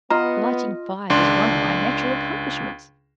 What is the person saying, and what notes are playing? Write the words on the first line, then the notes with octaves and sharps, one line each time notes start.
Lighting fires is one of my natural accomplishments.'
B3 F4 D#5 A#5
C#2 D4 C6